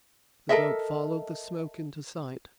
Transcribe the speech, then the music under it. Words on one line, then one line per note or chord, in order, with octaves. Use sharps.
The boat followed the smoke into sight.
A4 A#4 D#5 E5